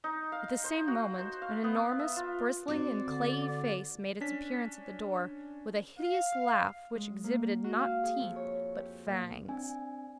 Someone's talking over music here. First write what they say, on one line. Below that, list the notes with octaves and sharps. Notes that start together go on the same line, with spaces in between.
At the same moment, an enormous, bristling, and clayey face made its appearance at the door, with a hideous laugh which exhibited not teeth, but fangs.
D#4
F5
C5
F#4
C5
F5
B3
E5
F4
C4 F#4 C5 D5
D3
C#4 D4 B6
F5
G#3
A#3
F#4
F5
G#4
F2
C#5
G4
A#2
C4 D4 G#5